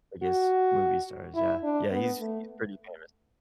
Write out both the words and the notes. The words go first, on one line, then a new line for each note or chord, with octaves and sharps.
I guess, movie stars, yeah. Yeah, he's he's pretty famous.
F#4
E4
D4
B3
A3